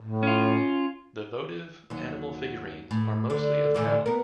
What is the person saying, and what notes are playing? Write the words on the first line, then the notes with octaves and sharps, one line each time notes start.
The votive animal figurines are mostly of cattle.
A2
C#4 F4
D#2 F#3
A2
D2 D3
A2 D3 E3
B3 A#4